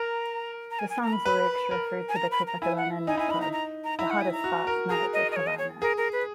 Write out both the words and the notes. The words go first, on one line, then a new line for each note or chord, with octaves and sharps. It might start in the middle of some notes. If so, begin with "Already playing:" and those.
The song's lyrics refer to the Copacabana nightclub, "the hottest spot north of Havana".
Already playing: A#4 A#5
A#5
G#5
G#5
A#5
B5
B4
A#4
G#5
A#5
B5
A#5
E4 G#5
F#5
D#4 G#5
E4 G#5
D#4 B5
A#5
A#5
A#5
E4 A#5
F#5
G#5
A#5
F#4
A#4
G#4 A#5
D#5
D#5
C#5
D#5
C#5
G#4 A#4
A#4
B4